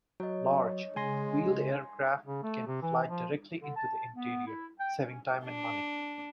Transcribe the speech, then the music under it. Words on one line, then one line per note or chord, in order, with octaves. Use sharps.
Large, wheeled aircraft can fly directly into the interior, saving time and money.
F#3 C#5 D#5
C#3 G#3 G#5 C6 A#6
C#3
A3
C3
E3
F3
D3
A5
B3
E4
G5
C#4
D4